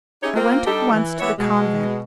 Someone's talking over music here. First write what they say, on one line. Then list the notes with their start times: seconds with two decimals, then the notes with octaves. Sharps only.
I went at once to the convent.
0.23 C#4 D#4 E4 G4 G#4 C#5
0.35 A#3 C4 F4
0.66 G3 D4 D#4 G4 A4
0.92 E3
1.20 E3 B3 G4 C#5 E5
1.39 B2 G#3